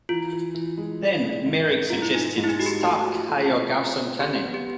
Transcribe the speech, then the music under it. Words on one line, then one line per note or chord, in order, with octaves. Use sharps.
Then Merrick suggested Stark hire Garson Kanin.
E3 F4
E3
E3
G#3
E3
G#3
G#2
G#2
G#2 F4
E4
F3 D#4
G#2
E4
D#4
G#3 F#4
G4
A3 F#4
F3
A3
F3
C4
C4
G4 A4
B3
G4